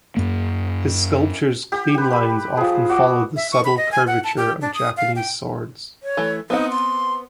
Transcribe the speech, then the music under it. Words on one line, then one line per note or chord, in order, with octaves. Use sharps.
His sculptures' clean lines often follow the subtle curvature of Japanese swords.
F#2 A#3
G4
G4 B4
B4 B5
F3 G#4
F#4 D6
E5
C#6
B5
D#5
G#5
F#5
A5
G4
D4
D#6
F5
G5
C#5
E3 A3
B3 C4 D#4 F#5
C6